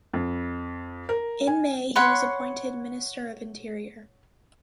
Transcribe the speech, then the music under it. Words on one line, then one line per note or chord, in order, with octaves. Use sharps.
In May he was appointed Minister of Interior.
F2
A#4
G#5
C#5 F#5 B5 C6